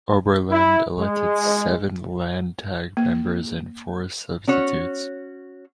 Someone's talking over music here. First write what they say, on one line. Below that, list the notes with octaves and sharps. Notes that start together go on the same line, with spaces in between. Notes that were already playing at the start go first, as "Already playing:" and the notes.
Oberland elected seven Landtag members and four substitutes.
E4
G#3
A#3
C#4 F#4 C#5